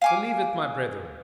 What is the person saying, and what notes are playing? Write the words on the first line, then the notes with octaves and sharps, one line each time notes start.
Believe it, my brethren!
F5 G#5 D6